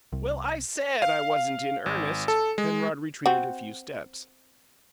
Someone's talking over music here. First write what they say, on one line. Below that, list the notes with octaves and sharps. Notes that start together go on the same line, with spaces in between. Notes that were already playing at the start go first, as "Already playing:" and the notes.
"Well, I SAID I wasn't in earnest!" Penrod retreated a few steps.
C2
F5
G#1
A4
G#3
C4 F#4